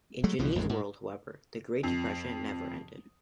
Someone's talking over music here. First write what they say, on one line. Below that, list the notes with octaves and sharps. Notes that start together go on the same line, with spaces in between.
In Jeannine's world, however, the Great Depression never ended.
F#3 G#3 A3
C2 B2 E3 F3
A1 F2 A2 G#3
G#2
F2